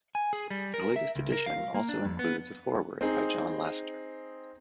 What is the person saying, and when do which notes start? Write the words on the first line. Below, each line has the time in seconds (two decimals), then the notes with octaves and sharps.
The latest edition also includes a foreword by John Lasseter.
0.15 G#5
0.33 G#4
0.50 G3
0.74 A#4
0.96 E5
1.15 C#2
1.33 A#4
1.46 F5
1.74 A#3
1.89 D4
2.05 F2
2.19 B3
3.01 C4 D#4 G#4